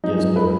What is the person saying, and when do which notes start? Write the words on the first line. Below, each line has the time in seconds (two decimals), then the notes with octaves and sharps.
Yes, sir.
0.04 F#2 F3 G#3 D#4
0.19 D#4
0.36 B4